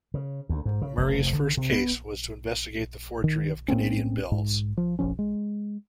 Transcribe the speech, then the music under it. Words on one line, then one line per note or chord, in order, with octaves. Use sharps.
Murray's first case was to investigate the forgery of Canadian bills.
C#3
D2
G#2
C#3
F1
D3
C3
B3
D#3
A2 A#3 C4 C#4
G#2
F3
F1 A#1 F3 C#4
G#3